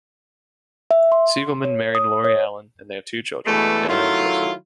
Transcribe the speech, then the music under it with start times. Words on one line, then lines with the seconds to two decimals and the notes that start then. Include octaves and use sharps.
Siegelman married Lori Allen, and they have two children, Dana and Joseph.
0.91 E5
1.12 C6
1.65 C#5
1.95 D#6
2.24 C#5
3.46 B2 E3 G#3 A3 D4 A4
3.88 D#3 F#3 A3 E4 F4